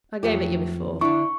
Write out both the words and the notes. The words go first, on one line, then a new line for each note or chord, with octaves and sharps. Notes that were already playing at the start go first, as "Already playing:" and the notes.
'I gave it you before.
F2 F#3 A3 G4
D3 D4 E4 C#6